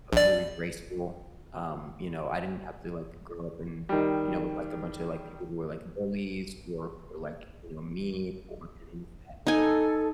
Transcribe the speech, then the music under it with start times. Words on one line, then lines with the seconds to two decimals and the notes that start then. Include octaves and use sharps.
uh, very graceful, um, you know, I didn't have to, like, grow up in you know, with, like, a bunch of, like, people who were, like, bullies or who were, like, you know, mean or any of that,
0.13 A#1 D5
3.89 D#3 G3
9.47 D#4 A4 G#5